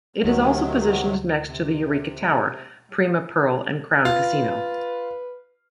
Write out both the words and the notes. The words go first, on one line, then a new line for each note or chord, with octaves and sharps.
It is also positioned next to the Eureka Tower, Prima Pearl and Crown Casino.
D2 C3 D#3 F#3
C3
F4 B4